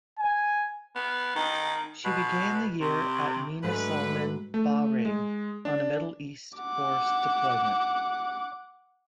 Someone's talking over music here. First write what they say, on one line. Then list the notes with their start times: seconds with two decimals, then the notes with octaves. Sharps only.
She began the year at Mina Sulman, Bahrain, on a Middle East Force deployment.
0.19 G#5
0.96 B3
1.35 D#3
2.05 B2
2.81 C3
3.63 G#2 D3 F#3 A3 B4
4.54 A3
5.05 G#3
5.65 D4
6.59 F#5 D6